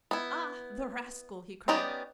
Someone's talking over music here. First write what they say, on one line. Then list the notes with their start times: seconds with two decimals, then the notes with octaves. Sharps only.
"Ah, the rascal!" he cried.
0.11 B3 E4
1.68 B3 C#4 D#4 G4 D5